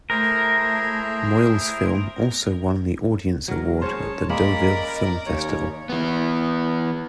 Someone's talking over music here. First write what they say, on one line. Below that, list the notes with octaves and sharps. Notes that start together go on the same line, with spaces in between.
Moyle's film also won the Audience Award at the Deauville Film Festival.
A3 E4 G#4 A#4 C5
F#3 A#4
C#4 G#4 C5 C#5 A5
G#3 A#3 A#4 D5 D#5 B5
D#2 C#5
E3 B3